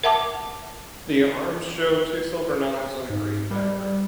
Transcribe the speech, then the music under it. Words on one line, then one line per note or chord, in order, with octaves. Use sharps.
The arms show two silver knives on a green background.
A#4 E5 F#5 A5 D6
G#2
G3